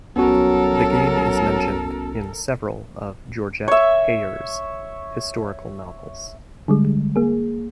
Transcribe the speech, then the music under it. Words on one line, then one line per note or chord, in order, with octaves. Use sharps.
The game is mentioned in several of Georgette Heyer's historical novels.
C2 F#3 B3 C#4 F#4 A4 A#4
C#5 E5
D3 G3 G#3
A#3 G#4